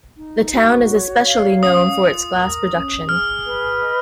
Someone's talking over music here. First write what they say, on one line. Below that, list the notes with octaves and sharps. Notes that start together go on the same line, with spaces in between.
The town is especially known for its glass production.
D#4
F#4
C#5
F5
C#4 D#6
F4
A#4
C#4
G#4 F6
B4
D#5